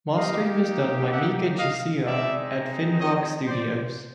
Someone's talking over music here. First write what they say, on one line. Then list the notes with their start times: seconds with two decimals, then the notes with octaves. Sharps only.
Mastering was done by Mika Jussila at Finnvox Studios.
0.16 A#3 D#4 G4 D#5 F5
1.11 E5 F#5
1.58 D#5 F5
2.05 G#3 C4 D#4 D5 E5
2.99 C#5 D#5
3.47 C5 D5